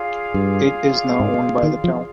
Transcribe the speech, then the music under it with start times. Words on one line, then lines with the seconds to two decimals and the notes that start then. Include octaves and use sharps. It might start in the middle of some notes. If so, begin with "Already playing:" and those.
It is now owned by the town.
Already playing: F4 G#4 D5 F5
0.34 G2
1.20 G#2
1.63 D#3
1.84 F3